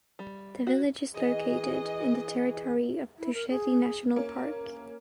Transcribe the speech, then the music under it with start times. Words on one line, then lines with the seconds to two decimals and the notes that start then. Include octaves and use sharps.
The village is located in the territory of Tusheti National Park.
0.19 G3
0.67 F#4
1.14 E3 G#4 D#5
3.19 E4
3.34 A#4
3.50 G#4
4.16 A#3 C#4